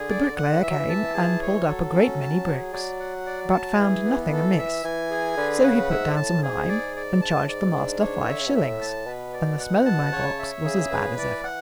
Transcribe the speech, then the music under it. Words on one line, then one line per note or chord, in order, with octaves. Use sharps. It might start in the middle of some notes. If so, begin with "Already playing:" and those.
The bricklayer came and pulled up a great many bricks, but found nothing amiss; so he put down some lime and charged the master five shillings, and the smell in my box was as bad as ever.
Already playing: D3 G#4
D5
F#5
E3 E5
F#3
E3
A5
G#4
C#5
F#3 A4
C#4
A5
G#4
F#3 D5
F#5
D5
A5
E3 G#4
B3
A4
E5
E3 G#5
G#4
D3 B4
C#3 F#5
G#2 E5
A2 A5
G#2 G#4
D5
D5
A5
A2
G#2 D5
D4
C#5
E3
D3 E5
C#3
B2
A2 E5
A5
B2 B4
D5
F#5
A5
C#3 C#5
E5
C#3 G#4
B4
E3 D5
F#5